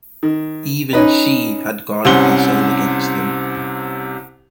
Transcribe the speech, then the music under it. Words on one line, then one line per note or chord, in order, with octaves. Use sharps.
Even she had guarded her soul against him.
D#3
C#4 D#4 B4
C2 C3 C#4 F#5 C6 G7